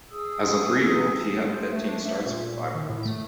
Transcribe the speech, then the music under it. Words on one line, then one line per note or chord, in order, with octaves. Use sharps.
As a three-year-old he had fifteen starts for five wins.
G#4 D#6 E6
C5
A3
D4
E5
A#2
D#3
A2
A3